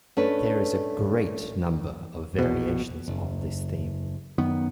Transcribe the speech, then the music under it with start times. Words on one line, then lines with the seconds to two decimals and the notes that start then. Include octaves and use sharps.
There are a great number of variations on this theme.
0.17 A3 C#4 D4 B4
2.39 A#1 B2
3.08 F#1
4.38 F#2 D#3 B3